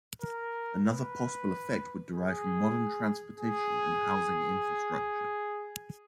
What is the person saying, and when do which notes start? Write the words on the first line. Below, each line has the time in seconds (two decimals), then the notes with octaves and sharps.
Another possible effect would derive from modern transportation and housing infrastructure.
0.22 A#4
0.85 B4
2.12 G#4
3.39 G#4